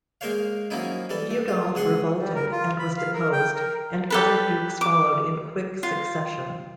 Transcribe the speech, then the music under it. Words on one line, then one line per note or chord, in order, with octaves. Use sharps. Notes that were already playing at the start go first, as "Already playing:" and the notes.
Liudolf revolted, and was deposed, and other dukes followed in quick succession.
G#3 A#3 A#4 C5 C#5 F5
F3 F#3 A#3 C#4 D#4 E4
E3 G3 A4
A3
F4
C#2 G#4 F#5 C6
G3
A#4
F4
B5
F5
A#4
G5
A#4
G4 A4 B4
D6
F4